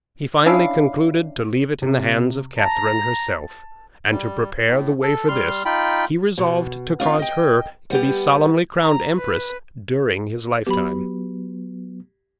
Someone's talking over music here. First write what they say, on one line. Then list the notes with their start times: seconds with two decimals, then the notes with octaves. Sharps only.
He finally concluded to leave it in the hands of Catharine herself, and, to prepare the way for this, he resolved to cause her to be solemnly crowned empress during his lifetime.
0.46 C#4 D4 E4 F5
1.82 C3
2.58 A5 A#5
4.11 G3
4.68 A2
5.02 A4
5.28 G3 C6 F6
5.65 D#4 F4 G5 B5
6.38 B2
7.00 C4 D4 F4
7.19 D#5 G5
7.90 G3 B3 G4
8.81 A#5
9.16 B4
10.67 F#3 B3 G4 B5